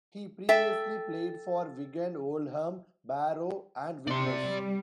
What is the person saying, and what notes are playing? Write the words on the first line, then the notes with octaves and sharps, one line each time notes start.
He previously played for Wigan, Oldham, Barrow and Widnes.
A4 E5 G5
C3 D5 C6
G3